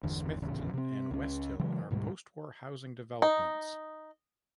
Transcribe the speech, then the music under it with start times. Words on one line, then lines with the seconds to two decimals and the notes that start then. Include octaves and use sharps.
Smithton and Westhill are post-war housing developments.
0.03 G1 E2 D3
0.42 D#1 A1 E2 C#3
0.73 C3 C4
1.11 C#2 C#4
1.59 C#3 E3 F#3 G#3
1.91 D2 G#2 B2 G3
3.22 D#4